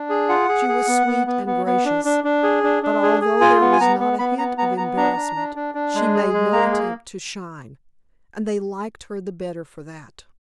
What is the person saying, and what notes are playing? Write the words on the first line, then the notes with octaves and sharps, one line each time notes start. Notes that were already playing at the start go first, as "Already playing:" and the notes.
She was sweet and gracious, but although there was not a hint of embarrassment she made no attempt to shine, and they liked her the better for that.
Already playing: D4
G#4
F4 F#5
G#4
G#4
B3
B3
B3
B3
B3
D4
D4
D4
G#4
D4
D4
G#4
G#4
F4 G#5
B3
G#5
B3 A#5
B3
B3 B5
B3 A#5
B3 A#5
B3 A#5
D4 A#5
D4
D4
D4
D4
G#3
G#4
G#3
A#3 A#5
G#4